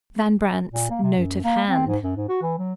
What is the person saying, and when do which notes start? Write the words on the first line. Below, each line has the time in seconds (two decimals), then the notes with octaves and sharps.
Van Brandt's note of hand!
0.72 A#2
0.90 A#3
1.03 C3
1.17 F#2
1.44 A#3
1.67 C4
1.87 G#2
2.03 F#2
2.16 G#2
2.29 F#4
2.42 E3
2.58 F#3